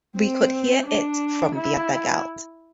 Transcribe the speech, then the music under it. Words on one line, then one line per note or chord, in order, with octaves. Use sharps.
We could hear it from their dugout.
C4
D4
E4